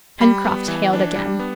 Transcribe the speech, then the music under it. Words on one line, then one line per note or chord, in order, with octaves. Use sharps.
Pencroft hailed again.
G3 B5
B3
E3
D4
G3
B3